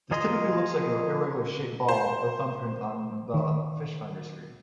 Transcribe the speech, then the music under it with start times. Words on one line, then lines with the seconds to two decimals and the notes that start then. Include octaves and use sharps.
This typically looks like an irregularly shaped ball or thumbprint on the fishfinder screen.
0.11 F3 D#4 G#4 D#5 C6
1.89 C5
3.34 D#3